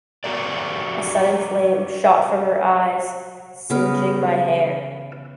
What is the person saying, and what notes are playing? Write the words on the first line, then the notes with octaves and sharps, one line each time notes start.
A sudden flame shot from her eyes, singeing my hair.
F#4 G4 A#4 D5
C#3 B3 A#4